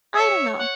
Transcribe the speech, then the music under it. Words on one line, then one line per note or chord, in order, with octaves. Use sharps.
I don't know.
C#5 E5
F#5